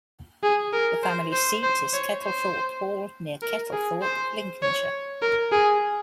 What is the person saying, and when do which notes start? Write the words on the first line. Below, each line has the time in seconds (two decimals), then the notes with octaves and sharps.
The family seat is Kettlethorpe Hall, near Kettlethorpe, Lincolnshire.
0.43 G#4
0.73 A#4
1.03 C5
1.32 C5
1.63 C5
1.93 C#5
2.23 C5
3.42 A#4
3.72 G#4
4.02 C5
4.62 C#5
5.22 A#4
5.52 G#4